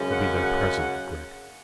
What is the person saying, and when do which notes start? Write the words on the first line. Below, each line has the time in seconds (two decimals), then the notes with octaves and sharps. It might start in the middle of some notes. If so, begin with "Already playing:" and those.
"I'll be there presently, Gregg."
Already playing: F#2 C#3 G#3 C#4
0.09 F#5
0.40 F#5